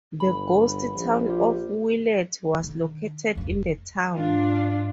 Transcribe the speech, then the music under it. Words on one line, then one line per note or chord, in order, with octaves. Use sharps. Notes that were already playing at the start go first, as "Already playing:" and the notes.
The ghost town of Willet was located in the town.
G1 B5
A#1
F4 G4
D3 D#3
F1 C#2
G#2 D4 F4